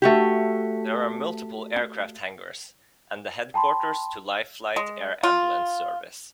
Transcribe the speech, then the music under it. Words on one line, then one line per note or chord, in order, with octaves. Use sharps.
There are multiple aircraft hangers and the headquarters to Life Flight air ambulance service.
A3 F#4 G4
G5 A5 B5 C6
G#3
F4